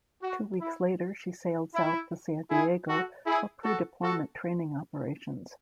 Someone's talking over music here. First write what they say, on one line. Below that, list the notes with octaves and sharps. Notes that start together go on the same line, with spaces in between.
Two weeks later she sailed south to San Diego for pre-deployment training operations.
F#4
E4
E4
E4 G#4
F#4 A4
E4 G#4
F#4 A4
F#4 A4